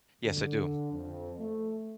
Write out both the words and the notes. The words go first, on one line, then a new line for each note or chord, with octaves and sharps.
Yes, I do.
D3
F2
A3